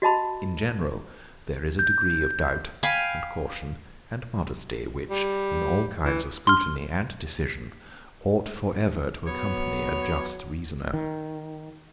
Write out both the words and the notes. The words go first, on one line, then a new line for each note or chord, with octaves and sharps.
In general, there is a degree of doubt, and caution, and modesty, which, in all kinds of scrutiny and decision, ought for ever to accompany a just reasoner.
F#4 D#5 A5 B5
G6
F5 G5 G#5 B5
G3
E3
C6 F6
F#3 B3 C#5
D#3